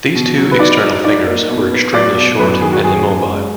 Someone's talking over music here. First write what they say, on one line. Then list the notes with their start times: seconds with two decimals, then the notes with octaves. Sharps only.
These two external fingers were extremely short and immobile.
0.15 B2
0.37 F#3
0.51 B4
0.59 D#4 D5
0.82 F#3
1.04 D#4 D5
1.27 A#3
1.49 B2
1.71 B3
1.94 F#3 D5
2.17 B2
2.39 F#2 B4
2.61 D#3 G#4
2.72 F#4
2.84 F#2 G#4
3.06 F#2
3.28 G#3